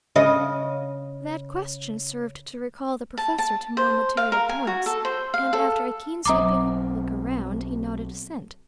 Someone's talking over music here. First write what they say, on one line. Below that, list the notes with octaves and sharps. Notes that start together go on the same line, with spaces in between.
That question served to recall the professor to more material points, and, after a keen, sweeping look around, he nodded assent.
C#3 D#5
A5
A5
C5
F5
A#4
G#5
F#4
A4
C5
F5
A4
B1 F#3 C4 A#5 D6